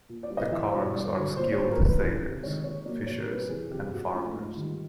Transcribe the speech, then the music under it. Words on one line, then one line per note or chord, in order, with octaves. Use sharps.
The Kargs are skilled sailors, fishers and farmers.
A#2
D5
G3 B3
D#5
E2 E5
C5
B2 G3
C#5
G2 D5
D5
D3 F#3 C#5
A#2 C5
C#5
F#3 B3 C5
A#4
F#2 B4
C#3 E3 G3
C3
D#3 G#3 C#5
A#2 C#5
F#3 A#3 D5
B2 C#5
A#4
G3 C4 B4
G4
E2 G#4
C3 E3 G4
A#2 F#4
F3 A3 C#4 F4
G#2
D#3 G3